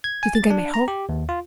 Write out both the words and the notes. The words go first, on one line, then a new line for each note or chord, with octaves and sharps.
You think I may hope?
G#6
G#5
A6
D4
A#5
G4
D#2
F4